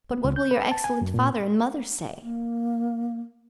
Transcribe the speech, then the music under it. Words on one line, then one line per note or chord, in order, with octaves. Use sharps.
But what will your excellent father and mother say?
B3
C#2
G6
B4
A5
G#5
F#2
A#2
A#3